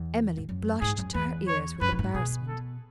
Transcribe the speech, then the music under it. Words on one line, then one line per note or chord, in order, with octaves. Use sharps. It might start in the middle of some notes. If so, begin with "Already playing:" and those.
Emily blushed to her ears with embarrassment.
Already playing: E2
G#2
F#2
G#2 G#4
F#2
E2 B4
C#5
F#2 B4
G#2
A2
G#2
B2 G#4
A4